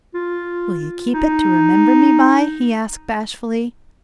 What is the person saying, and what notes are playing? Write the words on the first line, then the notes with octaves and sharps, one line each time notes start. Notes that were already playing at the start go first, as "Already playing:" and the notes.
"Will you keep it to remember me by?" he asked, bashfully.
F4
D#4